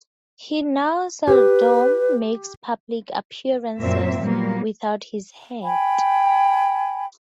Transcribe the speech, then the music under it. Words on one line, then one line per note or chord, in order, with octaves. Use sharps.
He now seldom makes public appearances without his hat.
G4 B4
F#2 A#2 A3 A#3 C4 E5
A#2 F#3 G3 A#3 B3
G5 G#5 B5